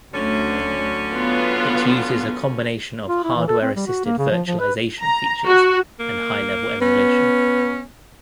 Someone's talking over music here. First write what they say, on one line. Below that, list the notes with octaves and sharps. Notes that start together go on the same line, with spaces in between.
It uses a combination of hardware-assisted virtualization features and high-level emulation.
D2 D3 F#3 C#4
B3 F4
F4
E4
E3
A4
C4
G3
F#4
A#3
C#3
F3
F3
B4
A#5
F#4
A#3
B3 C#4